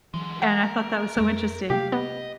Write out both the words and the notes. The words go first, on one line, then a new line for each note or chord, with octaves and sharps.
and I thought that was so interesting.
D3 E3 F#3 G#3
A#4 F#5
F2 G#3 A3
C3 A3 A#3 G4 F5
B3 D#5